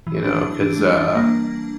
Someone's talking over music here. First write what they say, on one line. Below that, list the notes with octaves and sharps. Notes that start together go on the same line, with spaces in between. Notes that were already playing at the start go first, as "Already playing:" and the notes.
you know? 'Cause, uh
E3
D4
E3
D4
G3
D4
A#3